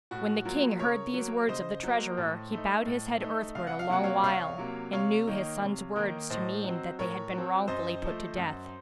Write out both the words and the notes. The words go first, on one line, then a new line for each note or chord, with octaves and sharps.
When the King heard these words of the treasurer, he bowed his head earthwards, a long while and knew his sons' words to mean that they had been wrongfully put to death.
A2 F#4
F#3 A#3 F4
C#3 A#4 C#5
F#3 A#3
C#3 C5 D#5
F#3 A#3
A2
A3 D#4
A2
A3 D#4
C2 F5
F#5
F5
C3 F#3 A#3 F#5
C#5 F5
C2 C#5 F5
C3 F#3 A#3
C3 C#5 F5
D#3 A#3 D#4
C3
D#3 A#3 D#4
A2 C5 D#5
F#3 C4
A2 A#4 C#5
F#3 C4
F#2 C5 D#5
F3 A3
F#2